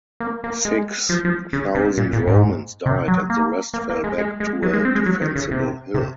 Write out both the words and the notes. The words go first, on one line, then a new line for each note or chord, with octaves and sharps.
Six thousand Romans died and the rest fell back to a defensible hill.
A#3
A#3
G#3
F3
F3
C#3
C3
A#2
A#2
G#2
C3
F#3
A#3
A#3
A#3
G#3
G#3
G#3
F#3
G#3
C4
G#3
F#3
D#3
C#3
C3
C3